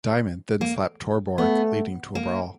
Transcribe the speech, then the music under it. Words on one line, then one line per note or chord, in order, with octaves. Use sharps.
Diamond then slapped Torborg, leading to a brawl.
A#3
A3 B3
A#3